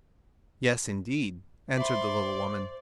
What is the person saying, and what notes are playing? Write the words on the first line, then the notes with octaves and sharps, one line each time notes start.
"Yes, indeed," answered the little woman.
C5 D5 E5 B5 C6 D6